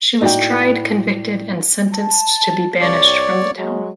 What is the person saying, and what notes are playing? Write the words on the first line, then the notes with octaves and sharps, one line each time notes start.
She was tried, convicted and sentenced to be banished from the town.
A2 A#3 D#4 F#4 D5 G5
A5
C2 C#5 D5
F#3 G#3